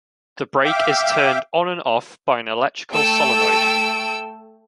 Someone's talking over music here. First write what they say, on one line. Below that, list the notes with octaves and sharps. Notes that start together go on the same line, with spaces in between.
The brake is turned on and off by an electrical solenoid.
E5 F5 G5 D6
A3 A4 G5 E6 D7